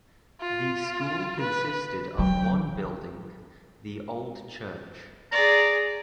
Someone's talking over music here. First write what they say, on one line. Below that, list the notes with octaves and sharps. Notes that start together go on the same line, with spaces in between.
The school consisted of one building, the old church.
F4
B4
F#3 G5
G#4 D5 A#5